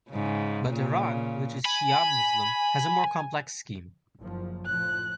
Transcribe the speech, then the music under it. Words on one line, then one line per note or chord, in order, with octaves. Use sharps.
But Iran, which is Shi'a Muslim, has a more complex scheme.
G#2 C#3
A#2 C#3
G#5 B5
F#1 F#2 F3
A2 F3 F#6